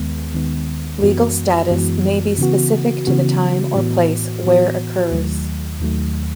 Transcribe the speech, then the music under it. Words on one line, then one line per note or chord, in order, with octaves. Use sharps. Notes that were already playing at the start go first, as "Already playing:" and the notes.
Legal status may be specific to the time or place where occurs.
Already playing: D#2 D#3 G#3 B3
D#2 D#3 G#3 B3
F#2 E3 G#3 B3 F#4
F#2 E3 G#3 B3 F#4
C#3 E3 B3 F#4
C#3 E3 B3 F#4
A2 E3 B3 F#4
A2 E3 B3 F#4
D#2 D#3 F#3 A3
D#2 D#3 F#3 A3